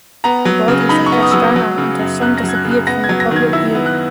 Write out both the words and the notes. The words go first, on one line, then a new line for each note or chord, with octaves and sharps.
The bodies of Pastrana and her son disappeared from the public view.
B3 A#5
F#3
C#3
D#4 B5
C#6
B3
D#6
F#3 E6
D#6
F#3
C#3
F#2
F#2 F#6
A#6
F#3
G#6
F#6
C#3
F#6
B3 A#6
G#6
F#3
A#6
D#3 G#6
E4 E6
B3
F#6